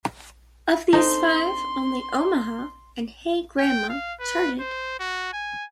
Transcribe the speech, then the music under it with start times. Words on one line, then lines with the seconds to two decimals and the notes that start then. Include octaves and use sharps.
Of these five, only "Omaha" and "Hey Grandma" charted.
0.93 C4 D4 D#4 A4 C6
3.58 G5
3.89 F5
4.19 B4
4.60 C5
4.99 F#4
5.33 G#5